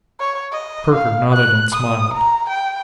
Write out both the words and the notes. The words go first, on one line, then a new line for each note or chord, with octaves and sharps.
Perker nodded and smiled.
C#5
D#5
F5
F#6
D#6
A#5
G5